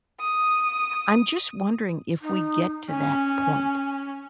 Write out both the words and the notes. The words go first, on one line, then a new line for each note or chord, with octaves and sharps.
I'm just wondering if we get to that point.
D#6
D#4
C#4 G#5